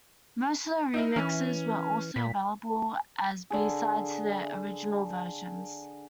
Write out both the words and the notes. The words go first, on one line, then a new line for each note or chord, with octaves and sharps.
Most of the remixes were also available as B-sides to the original versions.
D#4 E4 A#4
E3 C#4
A#2 B6
D3 G#4